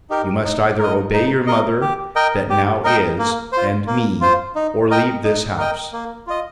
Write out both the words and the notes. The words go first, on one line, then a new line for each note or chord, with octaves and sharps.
You must either obey your mother that now is, and me, or leave this house.
D#4 G4 A#4
D#4
A#4 D#5
D#4
A#4 D#5
G4
A#4 D#5 G5
G4
A#4 D#5 G5
A#3
F4 C5
A#3
F4 C5
D#4
A#4 D#5 G5
D#4
A#4 D#5 G5
A#3
F4 D#5